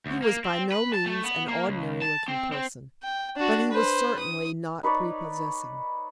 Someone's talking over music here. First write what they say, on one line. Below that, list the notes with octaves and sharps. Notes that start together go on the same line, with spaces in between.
He was by no means an ordinary looking person, but he was certainly not prepossessing.
D2
A#3
C4
B4
A5
A3
B3
A#3
C#2
A5
C4
C4
G5
D4 F#4
B4 C5
D#6
D#4 B4 C#5 D5